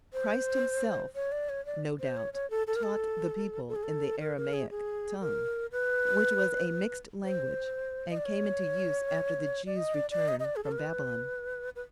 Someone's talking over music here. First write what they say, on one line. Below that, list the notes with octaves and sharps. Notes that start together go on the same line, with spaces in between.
Christ Himself no doubt taught the people in the Aramaic tongue, which was a mixed language, and came into use after the Jews' return from Babylon.
C5
C#5
D5
C#5
D5
C5
C#5
C#5
A4
A4
A#4
A4
A4
G#4
A4
A#4
A#4
G#4
G#4
A#4
B4
C5
D#5
D5
C#5
D5
D#5
D5
D5
D#5
D#5
D5
G#4
A4
A#4
B4
B4